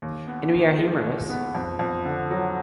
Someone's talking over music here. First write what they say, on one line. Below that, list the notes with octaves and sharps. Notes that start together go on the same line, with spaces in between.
And we are humorous.
D#2
B3
D#3
G#3
D#2
B3
F2
F2
D3
F#3